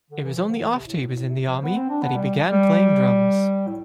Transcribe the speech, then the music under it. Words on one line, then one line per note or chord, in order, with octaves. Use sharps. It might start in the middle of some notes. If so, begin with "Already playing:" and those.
It was only after he was in the army that he began playing drums.
D3
E3
F3
D3
E3
C3
A2
A2
A2
C3
F3
B3
C4
D4
B3
G3
G3
A2